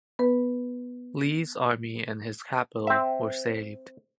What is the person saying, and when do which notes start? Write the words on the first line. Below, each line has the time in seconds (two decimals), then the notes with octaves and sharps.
Lee's army and his capital were saved.
0.19 B3 B4
2.87 C4 E5